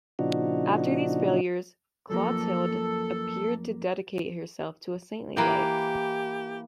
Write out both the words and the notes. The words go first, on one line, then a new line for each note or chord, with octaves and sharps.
After these failures, Clotilde appeared to dedicate herself to a saintly life.
A#2 C#3 F3 D4 D#4 F#4
F#2 F3 A#3 A4
E3 A#3 G4 B4